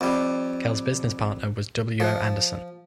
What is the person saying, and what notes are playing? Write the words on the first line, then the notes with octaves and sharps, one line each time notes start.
Kell's business partner was W. O. Anderson.
F2 G3
F3